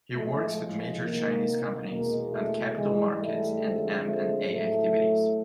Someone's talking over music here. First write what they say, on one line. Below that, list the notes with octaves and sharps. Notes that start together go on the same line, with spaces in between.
He works with major Chinese companies on capital markets and M and A activities.
A2 F3 G#3 A3
D2 C3 D#3 A#3
E2 B2 G#3 A#3
A3
G#2 E3 G3 G#3
A3
F2 D3 F3 G#3
A3
A2 F#3 A3